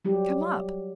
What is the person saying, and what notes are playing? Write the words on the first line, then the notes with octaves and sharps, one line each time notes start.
Come up.
F#3 G3 G4